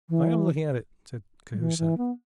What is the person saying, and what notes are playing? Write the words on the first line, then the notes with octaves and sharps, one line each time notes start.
"I am looking at it," said Cahusac.
E3
G3
E3
E3
B3